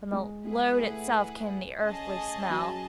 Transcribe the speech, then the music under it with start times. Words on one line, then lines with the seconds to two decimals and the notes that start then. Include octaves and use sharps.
From the load itself came the earthly smell.
0.12 G#3
0.45 G#3 E4 G#4 B4 F#5
0.79 A3
1.82 C#4 G#4 D#5 A5
2.50 F#3